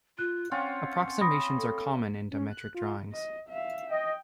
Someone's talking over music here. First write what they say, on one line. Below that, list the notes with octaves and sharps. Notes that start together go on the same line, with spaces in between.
Approximations are common in dimetric drawings.
F4 F#6
C4 C#4 F4 F#5
B5 D#6 A#6
A4
C#4
F#6
F4
D#5
E5 F5
D#5 G5